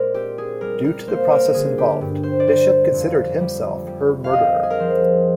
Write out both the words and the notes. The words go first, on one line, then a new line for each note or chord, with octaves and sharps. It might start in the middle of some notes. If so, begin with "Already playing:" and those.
Due to the process involved, Bishop considered himself her murderer.
Already playing: A#2 G#3 A#4 C5 D5
C4 G4
G#4
G3 A#4
A#4
A#3 C5
A#4
D3 G#4
G4
G2
C5
D5
G3 C5
F2
G3
G3
F5
C4 D#5
G#4
A#4
F3 C5